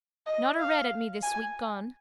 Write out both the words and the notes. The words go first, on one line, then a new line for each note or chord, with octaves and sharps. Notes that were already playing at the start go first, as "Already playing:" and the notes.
Not a red at me this week gone.
D#5
F5
G#5